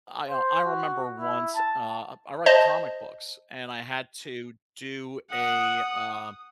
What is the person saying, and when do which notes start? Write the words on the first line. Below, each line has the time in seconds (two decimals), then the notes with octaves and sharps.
I, uh, I remember once, uh I write comic books, and I had to do a, uh,
0.30 C5
0.65 F#4
1.20 E4
1.55 A5
2.46 C5 D#5 A5
5.30 F#5 D#6